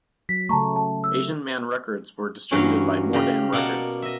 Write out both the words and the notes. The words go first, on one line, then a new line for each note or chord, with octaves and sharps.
Asian Man Records were distributed by Mordam Records.
F#3 B6
C#3 A3 A5 A#5 C#6
A5
E6
G2 E3 F#3 C#4 C#5
C#3 G4 D#5
B2 A#3 D5 F#5 A5
D#5 E5